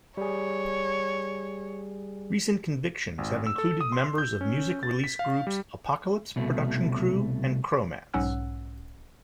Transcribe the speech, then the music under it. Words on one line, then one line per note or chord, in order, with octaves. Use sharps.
Recent convictions have included members of music release groups Apocalypse Production Crew and Chromance.
G3 G#4 C#5
G#1
E6
A4
D#6
C6
G6
C#4
A6
B6
F5
G3
C2 B2 A3
B1 G#2 C#4 F#5 E6